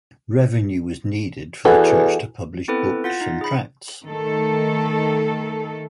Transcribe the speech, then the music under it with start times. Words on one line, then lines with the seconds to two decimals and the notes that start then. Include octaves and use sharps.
Revenue was needed for the church to publish books and tracts.
1.65 E2 E3 F#4 A4
2.68 B3 C4 E4 A4 B4
3.04 F4 F#5 A6 A#6
3.21 D#4
3.41 G#4 B5
4.06 D#3 A3 A4